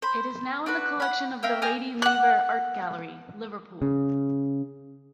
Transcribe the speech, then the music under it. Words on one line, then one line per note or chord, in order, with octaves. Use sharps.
It is now in the collection of the Lady Lever Art Gallery, Liverpool.
C5 B5
D4 F#4 B4
F#5 B5
A#4 E5 F5 G5
G4 D#5 G#5 F6
F#5 F#6
C#3